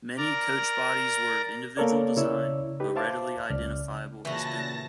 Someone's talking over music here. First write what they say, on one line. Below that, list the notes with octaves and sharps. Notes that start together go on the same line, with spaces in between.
Many coach bodies were of individual design, but readily identifiable as Duple.
A#4 D5 A#5
A#3 B3 A4 A#4 C#5 D5
C#3 E4 C#5 D5 E6
D#4 G4 B4
C5 E5 F5 A5 C6 D6
C#2 D5 F6
A#2 C#3 E3 F#4 A5 A#6